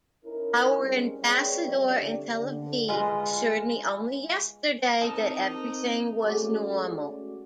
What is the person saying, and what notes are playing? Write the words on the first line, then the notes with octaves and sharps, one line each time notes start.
Our ambassador in Tel Aviv assured me only yesterday that everything was normal.
C#4 D#4 E4 A#4
G3 G#3 C4 C#4
G#4 B4 C#5 D5 E5 G5
F3 G3 C4 C#4 G4 D5
D3 D5
D3
G#3 F4 B4 D#5
C4 D#4 A#4 A5
G#3 A3 C#4 F#4 D5